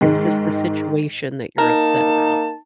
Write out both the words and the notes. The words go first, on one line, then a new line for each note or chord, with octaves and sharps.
It's just the situation that you're upset about.
G#2 D#3 G#3
A#3 D#4 A#4 A5